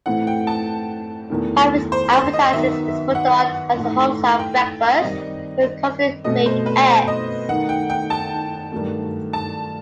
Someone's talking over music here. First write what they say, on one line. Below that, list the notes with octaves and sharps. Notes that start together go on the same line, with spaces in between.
Harvey's advertises its product as a homestyle breakfast with custom-made eggs.
A2 E3 A3 C4 E4 F#5
G5
A5
E2 D#3 A3 E4
C5
C5
D#5
D#5
D#3 F#3 B3 D#4 E5
F#5
A2 E3 A3 D#4
G5
D#3 G3 C4 D#5
B2 A3 C4 D#5
C5
B4
C5
D#5
D#3 A3 D#4 F#5
G5
G5
A5
G2 D#3 F#3 A3
A5